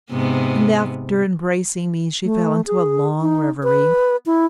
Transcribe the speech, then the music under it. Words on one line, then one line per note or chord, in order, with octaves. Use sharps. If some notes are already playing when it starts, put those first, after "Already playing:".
And after embracing me she fell into a long reverie.
G#2 C3 B3
A3
G#4
D#4
B4
E4